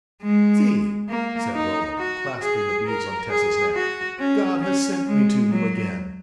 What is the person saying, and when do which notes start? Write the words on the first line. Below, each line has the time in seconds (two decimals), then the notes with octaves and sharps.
"See," said Romola, clasping the beads on Tessa's neck, "God has sent me to you again."
0.22 G#3
1.09 A#3
1.54 D#4
1.98 F#4
2.42 G#4
2.86 A#4
3.30 G#4
3.74 F#4
4.19 C#4
4.62 C#4
5.07 G#3
5.51 F#3